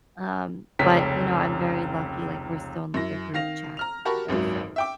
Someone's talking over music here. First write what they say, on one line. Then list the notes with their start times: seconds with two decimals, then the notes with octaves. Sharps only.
um, but, you know, I'm very lucky, like, we're still in, like, a group chat together, so,
0.79 F1 C#2 C#4 B6
2.94 F#2 E4 A#6
3.34 D#3 F5 A#6 F7
3.77 A#5 F6 F7
4.05 F#4 G4 A#4 A5 B5 C#6
4.28 G#1 C#2 F#2 F#3
4.76 E5 G5 D6